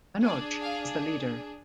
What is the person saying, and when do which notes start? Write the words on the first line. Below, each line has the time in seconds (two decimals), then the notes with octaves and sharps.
Manoj is the leader.
0.24 D4 G#4 D5
0.63 F5